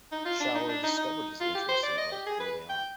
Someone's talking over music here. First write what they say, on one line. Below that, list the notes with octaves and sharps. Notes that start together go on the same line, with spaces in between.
Schauer discovered his interest in art early on.
D#4
F4
D4
D#4
D4
D#4
D#4
F4
G4
C5
D5
D#5
G4
G#4
B4
G5